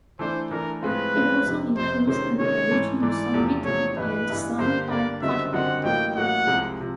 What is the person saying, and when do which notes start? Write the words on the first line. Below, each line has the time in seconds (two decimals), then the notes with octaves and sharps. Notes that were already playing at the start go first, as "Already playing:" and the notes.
It also includes an original song written and sung by Potter.
0.19 E3 A3 D4 C5
0.51 E3 A3 D4 A#4
0.82 A2 F3 G#3 C4 F4 B4
1.14 A2 F3 G#3 C4 F4
1.45 F1 F2 C3
1.76 F1 F2 C3 C5
2.07 C3 D#3 G#3 C#4 C5
2.39 C3 D#3 G#3 C#4 C#5
2.71 G#2 E3 A3
3.02 G#2 E3 A3 D5
3.34 E2 C3 F3 A3
3.64 E2 C3 F3 A3 C#5
3.96 A1 G2 E3 B4
4.27 A1 G2 E3
4.58 G2 D3 G3 A#3 C5
4.90 G2 D3 G3 A#3 D5
5.22 F#1 F#2 D3 G3 C4 E5
5.53 F#1 F#2 D3 G3 C4 F#5
5.84 A1 A2 F#3 A#3 G5
6.16 A1 A2 F#3 A#3 F#5
6.47 C2 C3 F3 G#3
6.81 C3 F3